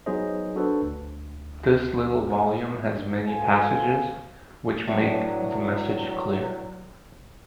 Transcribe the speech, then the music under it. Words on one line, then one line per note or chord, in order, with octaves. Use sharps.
This little volume has many passages which make the message clear.
F#3 B3 D#4 G#4 C5 D#5
D4 F#4 A4 B4 C5
D2
C4 F#4 A4 B4 F5 G#5
A2 F#3 B3 D4